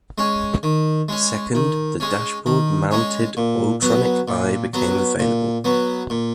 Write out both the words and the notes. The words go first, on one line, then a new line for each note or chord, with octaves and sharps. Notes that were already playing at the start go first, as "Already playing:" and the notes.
Second, the dashboard-mounted "Autronic Eye" became available.
G#3 C#4
D#3
G#3 C#4
D#3
G#3 C#4
D#3
G#3 C#4
A#2
F#3 B3
A#2
F#3 B3
A#2
F#3 B3
A#2